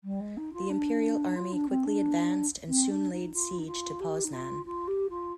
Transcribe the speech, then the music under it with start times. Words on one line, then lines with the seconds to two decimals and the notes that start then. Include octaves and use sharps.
The Imperial army quickly advanced and soon laid siege to Poznan.
0.04 G3
0.20 G#3
0.37 D#4
0.53 F4
0.70 D4
1.36 F4
1.53 D4
1.69 C4
1.85 D4
2.68 C4
2.90 D4
3.12 D#4
3.34 F4
3.58 D#4
3.66 F4
4.00 G4
4.24 D#4
4.33 F4
4.65 F4
4.87 G4
5.09 F4